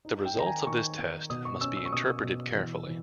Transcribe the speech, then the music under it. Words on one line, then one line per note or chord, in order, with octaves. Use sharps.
The results of this test must be interpreted carefully.
D#4
G5
D#3 A#5
G#5
D#3 C#6
D#3
B2 D#6
C#6
C#4 E6
E6
C#6
B2 D#6
B2
E3
E3